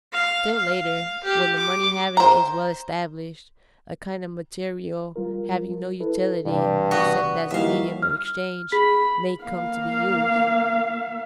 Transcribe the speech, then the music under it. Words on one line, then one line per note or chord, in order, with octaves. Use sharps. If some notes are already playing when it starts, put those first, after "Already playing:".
Still later, when the money habit is well established, a kind of material having no utility except as a medium of exchange may come to be used.
F5
F5
G4
D6
C5 A#5
G3 F4 A#4
E4 A4 B4
G2 C3 E3 D5
B3 F#4
D#2 G3 E4 F#4 E5 F5
F6
G#4 B5 B6
A#3 F5